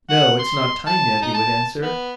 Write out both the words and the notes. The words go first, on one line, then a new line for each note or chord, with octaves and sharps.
"No, it's not time yet . . ." he would answer.
F#5
C6
A5
D#4
A5
B3